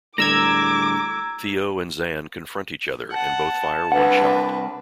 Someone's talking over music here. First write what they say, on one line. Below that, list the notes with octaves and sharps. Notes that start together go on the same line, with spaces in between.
Theo and Xan confront each other and both fire one shot.
A2 D3 G3 A#5 D6 E6 G#6
F#5 A5
C2 D4 B4 F#5